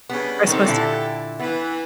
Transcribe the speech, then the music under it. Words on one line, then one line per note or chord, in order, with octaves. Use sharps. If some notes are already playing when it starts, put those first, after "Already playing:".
are supposed to
C#3 G3 B3 D4
D#3 C4 G4 A4
A#2 D3 E4
E3 B3